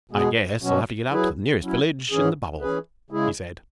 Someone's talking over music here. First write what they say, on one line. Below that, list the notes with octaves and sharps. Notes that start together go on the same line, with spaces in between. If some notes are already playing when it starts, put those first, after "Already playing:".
"I guess I'll have to get out to the nearest village in the bubble," he said.
B2 G#3 B3 G#4
B2 F#3 C#4 F#4
F#3 E4 G#4 B4
F#3 C#4 E4
G#2 E3 C#4 G#4
E3 C#4 G#4 B4
C#3 G#3 E4 G#4